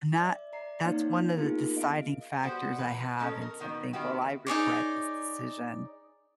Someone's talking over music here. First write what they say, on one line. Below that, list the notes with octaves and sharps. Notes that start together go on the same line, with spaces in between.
And that that's one of the deciding factors I have in something, "Will I regret this decision,"
D5 E5
D5 A#5 C7
A#3 C4 D#4 E4 C#5 F5
A#3 B3 D#4 F4 G#4 A#4
D#5 F5 D7
G3 B3 F#4 G4 C5
E3 B4
B2 G#3 C#4 A4 A#5
A#4
B2 D#3 B3
D#3 A#3 B3 E4 F#4 G4
D#4 G#4 C#5 D5